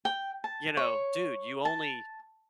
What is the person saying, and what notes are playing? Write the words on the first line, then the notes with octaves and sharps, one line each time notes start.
you know, "Dude, you only
G5
A5
C#5
A5